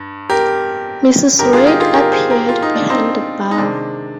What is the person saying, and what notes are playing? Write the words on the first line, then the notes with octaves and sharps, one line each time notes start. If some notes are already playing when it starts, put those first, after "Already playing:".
Mrs. Reid appeared behind the bar.
Already playing: G2
G4 A#4
G2 D3 G3 G4 A#4
F4 G#4
D#4 G4
F4 G#4
G4 A#4
G#4 C5
G4 A#4
F4
D#4
D4
C4 D#4
D#4
C3 D#3 G#3 D4